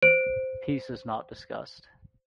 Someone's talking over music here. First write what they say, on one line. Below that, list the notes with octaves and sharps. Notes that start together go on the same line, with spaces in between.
Peace is not discussed.
C5 D7